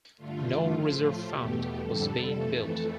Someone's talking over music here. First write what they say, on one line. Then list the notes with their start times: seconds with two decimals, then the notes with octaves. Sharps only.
No "Reserve Fund" was being built.
0.17 G2 D3 A3 F4
0.71 A2 F3 A3
1.25 E2 B2 A3 G4
1.78 F2 D3 G3 A4
2.31 F2 E3 A3